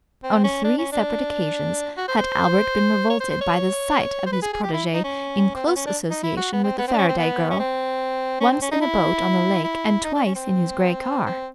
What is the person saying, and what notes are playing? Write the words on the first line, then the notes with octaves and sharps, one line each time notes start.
On three separate occasions had Albert been revolted by the sight of his protege in close association with the Faraday girl--once in a boat on the lake and twice in his grey car.
C4
C#4
D4
C#4
D4
F#4
C5
C5
C#5
C5
C5
C#5
C5
B4
G#4
G#4
G4
E4
D#4
C#4
C4
B3
C#4
D4
D#4
E4
F#4
B3
C4
B3
C4
D4
C#4
C4
B3
C#4
C4
C#4
C4
C#4
D#4
E4
E4
D#4
D4
C#4
C4
C4